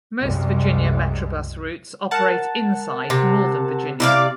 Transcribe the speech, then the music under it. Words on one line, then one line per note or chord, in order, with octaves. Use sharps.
Most Virginia Metrobus routes operate inside Northern Virginia.
C2 F#2 G3 G#3
A#4 F#5 A5
C3
C3 E4 D5 F5 D6